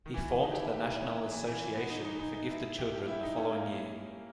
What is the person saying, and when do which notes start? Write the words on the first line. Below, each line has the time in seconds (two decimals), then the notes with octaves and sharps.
He formed the National Association for Gifted Children the following year.
0.06 D#3
0.14 E3
0.43 D#4
0.52 G4
0.58 E4
0.73 G4
0.87 E4
1.02 C#4
1.32 E3
1.47 E3
1.75 B3
1.90 D#4
2.05 D#4
2.20 D#4
2.34 D#4
2.49 E4
2.79 G4
2.94 G4
3.08 E4
3.23 D#4
3.38 C#4
3.53 A#3